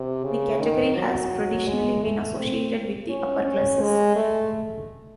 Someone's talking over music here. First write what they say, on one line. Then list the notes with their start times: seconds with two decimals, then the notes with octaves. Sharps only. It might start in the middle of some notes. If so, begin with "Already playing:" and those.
The category has traditionally been associated with the upper classes.
Already playing: C3
0.24 C#3
0.61 D#3
0.96 F#3
1.68 G#3
2.03 A3
2.38 C4
3.09 C#4
3.46 C#4
3.81 G#3
4.16 A3